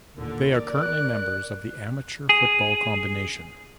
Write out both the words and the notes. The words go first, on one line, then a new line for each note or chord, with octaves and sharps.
They are currently members of the Amateur Football Combination.
D#2 A#2 D3
A#4 D5
F#6
G#4